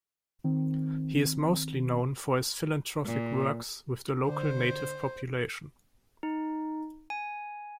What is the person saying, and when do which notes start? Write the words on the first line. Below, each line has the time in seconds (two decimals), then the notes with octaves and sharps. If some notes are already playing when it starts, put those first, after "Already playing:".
He is mostly known for his philanthropic works with the local native population.
0.44 D#3 C4
3.06 A#2
4.29 D3 C5
6.23 D#4
7.10 G#5